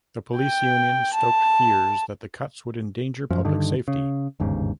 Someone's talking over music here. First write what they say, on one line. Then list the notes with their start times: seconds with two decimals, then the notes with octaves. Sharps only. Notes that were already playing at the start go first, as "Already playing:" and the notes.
The police union stoked fears that the cuts would endanger public safety.
0.36 G5
1.14 A5
3.30 F#2 F3
3.45 G2 D3 D#3
3.88 C#3
4.40 G1 D#2 G#2 C#3